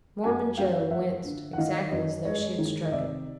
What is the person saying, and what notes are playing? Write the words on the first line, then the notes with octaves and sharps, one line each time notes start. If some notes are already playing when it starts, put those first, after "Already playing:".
Mormon Joe winced, exactly as though she had struck him.
F#2 F#5 G#5
F#2 F5 G5
F3 E5 F#5
D3
F#5
D#3 D#5 F5
F#2 C#5 D#5
G#3 C#5 D#5
D#3
D#5
C3 D5 E5